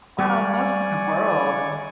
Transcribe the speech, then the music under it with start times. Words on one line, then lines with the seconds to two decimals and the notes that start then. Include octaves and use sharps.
Well, most of the world, I mean
0.19 G3 D5 G#5 C#6